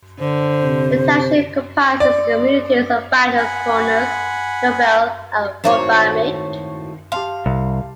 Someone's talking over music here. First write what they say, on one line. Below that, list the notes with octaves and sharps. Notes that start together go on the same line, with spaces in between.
The township comprises the communities of Badger's Corners, Nobel, and Waubamik.
D3 C5
C3
D5
F#5 G#5 B5
G#1 A2 D#3 F#4 C5 C#5
G4 F5 A5 C6
C2